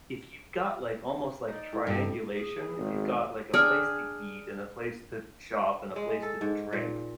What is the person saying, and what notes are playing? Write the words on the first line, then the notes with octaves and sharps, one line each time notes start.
if you've got like almost, like, triangulation, if you've got, like, a place to eat, and a place to shop, and a place to drink,
D#4 D5
A2
G2
G#4
G#1
D4 G#4 G5 D#6 F6
G#3
A4
G#2
A#2